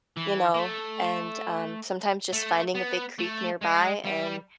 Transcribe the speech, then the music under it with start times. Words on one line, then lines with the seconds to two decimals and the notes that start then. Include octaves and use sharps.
you know? And, um sometimes just finding a big creek nearby, and
0.17 E3
0.54 A#3
0.59 A3
2.33 A3
2.75 B3
3.19 A3
3.61 G#3
4.05 G3